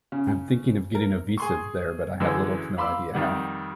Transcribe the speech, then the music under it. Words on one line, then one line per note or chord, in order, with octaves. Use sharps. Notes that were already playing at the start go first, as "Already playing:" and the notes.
I'm thinking of getting a visa there but I have little to no idea how.
C#3
A#4
G#4 C6 C#6
F#2 D3 E3 G#3 E6
F5 B5 C6 D6 E6
F2 D#3 G3 F#5